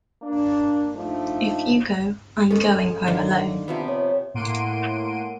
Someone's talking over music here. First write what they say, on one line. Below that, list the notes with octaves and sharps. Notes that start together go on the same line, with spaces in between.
If you go I'm going home alone.
A#3 D4
F3 A3 D4 D#4
G#3 C#4 A4
D3 D#3 A#3
C3 F3 B3
C#5
A2 A#3 F#5 C6 D7 D#7